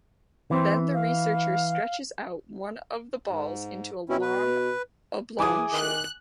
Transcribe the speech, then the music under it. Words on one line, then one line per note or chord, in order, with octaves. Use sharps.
Then the researcher stretches out one of the balls into a long oblong shape.
E3 C4
F5
G#2
B2 C4 C#4 E4
B4
E3 E4 G#4 G#5 D6 D#6
D#3 F#6